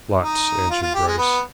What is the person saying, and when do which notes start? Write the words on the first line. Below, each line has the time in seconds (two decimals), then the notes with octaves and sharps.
"Lots!" answered Bryce.
0.22 D#4
0.70 F4
0.82 F4
0.94 G4
1.07 G#3
1.18 B3